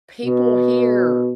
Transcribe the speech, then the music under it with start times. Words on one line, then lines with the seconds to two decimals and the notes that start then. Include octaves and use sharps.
people here,
0.25 B2